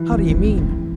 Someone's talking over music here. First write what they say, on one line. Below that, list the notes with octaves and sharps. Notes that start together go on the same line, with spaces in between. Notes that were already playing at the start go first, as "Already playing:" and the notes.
"How do you mean?"
Already playing: E3
C4
C4
C4
C4